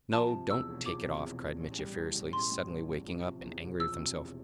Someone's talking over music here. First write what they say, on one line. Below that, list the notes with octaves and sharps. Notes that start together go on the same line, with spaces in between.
"No, don't take it off," cried Mitya furiously, suddenly waking up, and angry with himself.
F3 A5
C3
E2 E6
E1
F3 D6
C3
E2
E1
A1
G3
A2
A1
A1 C6
G3
A2
A1
F3
C3
E2
E1
F3 E6
C3
E2